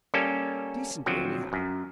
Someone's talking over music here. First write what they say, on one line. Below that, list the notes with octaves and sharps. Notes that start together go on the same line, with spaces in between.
Decently, anyhow.
G3 A#3 C#4 A4
D3 F3 F#3 C4
F#2